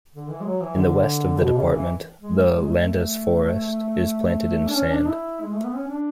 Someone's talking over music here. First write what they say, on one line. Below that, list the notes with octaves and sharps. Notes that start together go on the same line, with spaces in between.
In the west of the department, the Landes forest is planted in sand.
D3
E3
G#3
F#3
E3
D3
B2
C#3
E3
G#3
G#3
A3
D4
C#4
D4
E4
G#3
A3
B3
C#4
D4